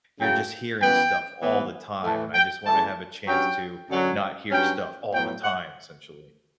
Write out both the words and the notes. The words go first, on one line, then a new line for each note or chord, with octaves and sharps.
you're just hearing stuff all the time and I just wanna have a chance to not hear stuff all the time, essentially.
F#2 C#3 F#3 G5
F#2 E3 B3 G5
A2 E3 B3
A2 E3 A3 A5
G5
C#3 E3 A3 A5
G2 F#3 C#4 G5
F#2 D3 F#3
G2 F#3 C#4 G5
A2 F#3 B3 G5
F#5